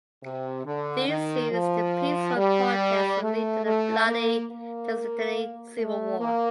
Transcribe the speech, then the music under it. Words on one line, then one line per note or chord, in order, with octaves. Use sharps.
These series of peaceful protests would lead to the bloody Tajikistani Civil War.
C3
D3
D#3
F3
G3
A3
A3
A#3
A#3
A3
A#3